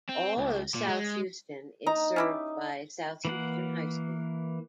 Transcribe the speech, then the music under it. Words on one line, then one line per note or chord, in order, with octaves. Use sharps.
All of South Houston is served by South Houston High School.
C4
C#2
A#2
G#3
D#4 A#5
C#4 E4 G4
E3 A#3 F#5